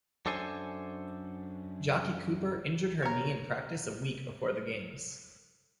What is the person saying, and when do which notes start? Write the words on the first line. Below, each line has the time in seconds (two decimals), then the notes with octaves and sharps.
Jacqui Cooper injured her knee in practice a week before the games.
0.26 F#2 D4 A4 C5 G#5
3.02 A#4 C#5